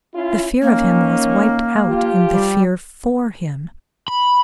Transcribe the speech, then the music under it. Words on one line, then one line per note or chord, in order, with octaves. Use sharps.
The fear of him was wiped out in the fear for him.
C#4 E4 F4
D#3 A#3 C#4
F3 F4 G4
G3
B5